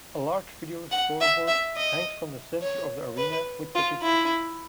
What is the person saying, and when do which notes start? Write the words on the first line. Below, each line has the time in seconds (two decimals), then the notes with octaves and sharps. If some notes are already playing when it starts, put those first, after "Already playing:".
A large video scoreboard hangs from the center of the arena with statistics.
0.91 F#5
1.20 E5
1.48 E5
1.77 D#5
2.62 C#5
3.18 B4
3.75 F4
4.02 E4